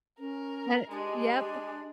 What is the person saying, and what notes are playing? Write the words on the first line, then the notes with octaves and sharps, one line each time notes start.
and yep.
C#4 A#4
G#3 D4 G4